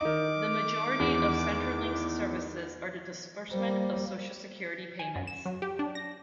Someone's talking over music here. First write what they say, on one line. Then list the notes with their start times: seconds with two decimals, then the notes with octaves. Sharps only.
The majority of Centrelink's services are the disbursement of social security payments.
0.01 D#3 D#4 D6
1.00 E2
3.51 G3 A#3 C5
4.99 G#5
5.16 F#2
5.27 E7
5.46 F#3
5.62 G4
5.79 D4
5.95 A#6